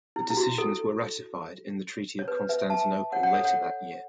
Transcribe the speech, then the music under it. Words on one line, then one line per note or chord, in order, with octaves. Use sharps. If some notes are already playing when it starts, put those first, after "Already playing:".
The decisions were ratified in the Treaty of Constantinople later that year.
E4
E4
F#4
A4
C#5
B4
B4 E5
E5 A5
C#5 F#5
C#5 F#5
A4 C#5
C#5 F#5